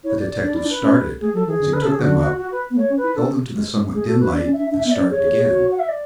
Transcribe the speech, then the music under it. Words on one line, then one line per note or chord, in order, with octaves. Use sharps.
The detective started as he took them up, held them to the somewhat dim light, and started again.
E4 C#5
D5
D5
D4 D5
E4 D5
D4
B4
C#4
A3 G#4
F#3 A4
E3 G#4
D3
D3 B4
A4
C#3
G#4
D3 F#4
F#4
F#4
B4
B3
A3 C#5
C#4
B4
E4
D4 A4
G#3
G#3
G#3 G#4
F#4 A4
F#4 B4
D4 D5
C#4
E5
D4
D4 E5
B3 E5
D5
C#4
G#4 C#5
G#4
G#4
F#4
F#5
E5
D5